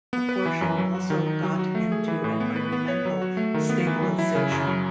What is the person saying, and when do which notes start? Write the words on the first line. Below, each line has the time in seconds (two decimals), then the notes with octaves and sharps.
A portion also got into environmental stabilisation.
0.13 B3
0.29 B4
0.46 E3
0.61 F#2
0.78 F#3
0.95 F#4
1.10 D#3
1.26 D#4
1.43 F#3
1.59 F#4
1.75 A3
1.92 G#4
2.08 E3
2.24 A2
2.40 B3
2.56 B4
2.72 B3
2.88 C#5
3.05 F#3
3.22 F#4
3.37 A3
3.54 D#3
3.69 B3
3.87 E3
4.02 F#3
4.19 E4
4.35 C#3
4.52 F#2
4.67 F#3